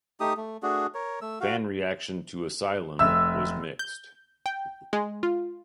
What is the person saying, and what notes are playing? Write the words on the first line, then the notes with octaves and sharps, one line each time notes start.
Fan reaction to "Asylum" was mixed.
A3 D#4 G4 D#6
A3
A3 D4 F#4 G#4
A#4 C#5
A3 E6
F#4 F5
F1 E5 E6
G6
G5
G#3
F4